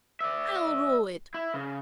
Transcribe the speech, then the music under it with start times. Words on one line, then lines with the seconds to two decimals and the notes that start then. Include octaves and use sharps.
"I'll rule it!"
0.21 D5 E5
1.34 E4
1.54 C#3